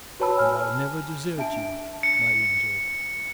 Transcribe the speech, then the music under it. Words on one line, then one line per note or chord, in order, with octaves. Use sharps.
And I'll never desert you, my angel.
F#4 B4 C#5 A5 B5 E6
G#5 F6
D4 E5 A5 D7
C#7